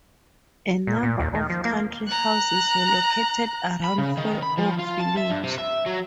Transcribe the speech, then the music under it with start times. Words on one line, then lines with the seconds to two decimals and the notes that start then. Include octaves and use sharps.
A number of country houses were located around Fair Oak village.
0.87 A#2
1.03 A#2
1.20 D#2
1.35 D#3
1.50 F3
1.65 A#3
2.08 A#5 F#6
3.84 B5
3.98 C#3
4.17 D#3
4.43 B5
4.58 F3
4.80 F4
5.00 A5
5.18 E5
5.30 G2
5.44 C3
5.58 E5
5.86 F#3